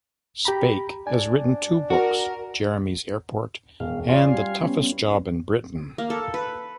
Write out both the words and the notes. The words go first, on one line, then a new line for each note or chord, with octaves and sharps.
Spake has written two books: "Jeremy's Airport" and "The Toughest Job in Britain".
G4 A#5 B5
D4 G#5
F#4 A#4
E1 F2 B3 F5
C#4 F4 D5 F5 G#5 C6
G3
B3 C#4
A#3
A4
B4